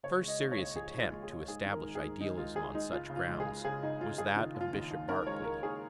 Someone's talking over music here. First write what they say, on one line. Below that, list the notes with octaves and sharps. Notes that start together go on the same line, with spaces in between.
The first serious attempt to establish idealism on such grounds was that of Bishop Berkeley.
C#3 C#5
G#3
D#5
D#2
C#5
C#3
F3 G#4
D#2
F4
G#3
G#4
G#3
G#2 G#4
D#3
A#4
G#2
G#4
G#2
D#3 D#4
G#3 F4
G#3 G#4
G#3 D#4
C#2 F4
C#3
F4
G#3
G#4
C#2
C#3 G#4
C#3 D#4
C#3 F4
C#3 G#4
D#3 F4
D#2
F4
D#3
D#2
D#3 A#4
G#3 C#5
G#3 A#4
D#2 G#4